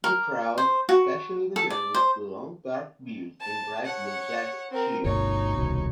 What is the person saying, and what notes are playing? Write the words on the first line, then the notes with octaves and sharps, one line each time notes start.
The crowd, especially the man with the long dark beard and bright blue jacket, cheer.
A#4
C5
F#4
A4
D5
C5
A5
C#5 F#5
C4 A#4
G1 D2 B2 D#4 C#5
D#1 C2 B2